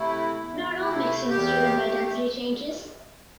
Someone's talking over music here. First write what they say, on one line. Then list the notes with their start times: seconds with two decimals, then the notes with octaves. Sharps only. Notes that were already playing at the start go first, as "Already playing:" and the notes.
Not all mixing is driven by density changes.
Already playing: C3 A3 E4
0.36 E2
0.83 C3 A3
1.29 E2 G4
1.77 A3